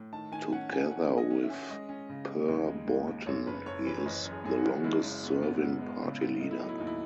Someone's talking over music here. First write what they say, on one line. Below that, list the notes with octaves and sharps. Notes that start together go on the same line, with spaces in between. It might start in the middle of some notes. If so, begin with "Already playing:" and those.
Together with Per Borten, he is the longest-serving party leader.
Already playing: A2
D#3 A5
D#3 G#5
C#4 F#5
C#4 G#5
D#3 F#5
C#4
D#5
C#4
E5
C#4
G#3 D#5
C#4
C#3
G#3
D#2
G#3
D#2
D#2
F#2 C#5
F#1 B4
F#1 C#5
E3 B4
C#5
F#1 D#5
F#2
G#4
F#2 G#4
F#4
F#1
G#3 E4
C#3
B3
B3
B3
G#3
C#3
B3
A3 D#4
E4
F#3 D#4
E4
D#2 D#4
E4